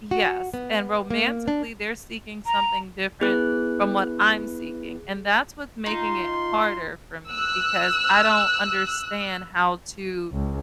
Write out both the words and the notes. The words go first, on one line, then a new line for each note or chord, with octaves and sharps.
yes. And romantically, they're seeking something different from what I'm seeking. And that's what's making it harder for me because I don't understand how to
F#4
B3
A#3
D4
A#5
B3 E4 G#4 B4 F#6
D#4 F4 C6
E6 F#6
C#2